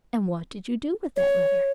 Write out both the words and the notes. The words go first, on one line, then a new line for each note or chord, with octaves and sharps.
"And what did you do with that letter?"
C#5